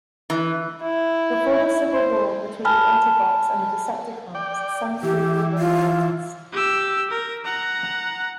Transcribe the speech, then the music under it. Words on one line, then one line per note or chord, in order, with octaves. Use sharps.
Before the civil war between the Autobots and the Decepticons, Sunstreaker was an artist.
E3
E4
C5
G#5 A5 B5 F6
D5 G5
E3 G4
F4
G4 E6
A#4
F#5 A#5